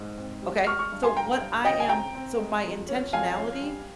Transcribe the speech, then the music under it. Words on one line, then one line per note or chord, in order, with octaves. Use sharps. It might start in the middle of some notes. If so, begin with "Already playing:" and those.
okay? So, what I am So my intentionality
Already playing: G#2
C4
G3
G#3 C#6 F6
C#6 F6
G2
G#5 C6
G2 G5 A#5
G2
C#3 D#5 G5
G#5
C4 G5 A#5
C4
G#3
F2
C#4
F2 F5 G#5
C#4
G3